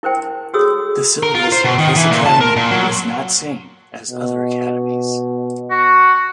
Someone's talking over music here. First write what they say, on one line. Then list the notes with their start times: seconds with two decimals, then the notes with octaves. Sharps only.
The syllabus of this academy was not same as other academies.
0.03 E4 A#4 C5 G5
0.54 F#4 G#4 A4 C#5 D#6 E6
1.23 A#4
1.35 F4
1.52 C5
1.64 B2
1.79 D#3
1.96 E3
2.11 A#2
2.26 A5
2.41 A#4
2.56 A#2
2.71 F#3
4.11 B2
5.71 F#4